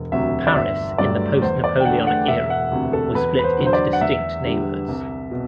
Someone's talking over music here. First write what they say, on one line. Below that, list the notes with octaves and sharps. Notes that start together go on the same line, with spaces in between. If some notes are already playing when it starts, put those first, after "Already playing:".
Paris in the post-Napoleonic era was split into distinct neighborhoods.
Already playing: E1
D2 C3 F#3 E5
D5
G1 E5
G2 F#3 A3 D5
E2 C5
D5
G5
D3 A3 F#5
F#5
E1 E5
F#5
D2 C3
A4
E2 B4
B4
C5
D3 F#3
C5
D5
F#5
E2 E5
D3 G3
C2
B2